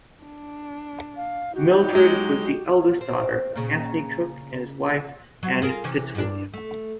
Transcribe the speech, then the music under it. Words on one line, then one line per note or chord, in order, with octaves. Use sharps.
Mildred was the eldest daughter of Anthony Cooke and his wife Anne Fitzwilliam.
D4
F5
D#4 F#4 G4
F#3 G#3
C4
A#2 C#3
F#3
F4 G#4 A#4
C3 E3 C#4
G2 D4
A3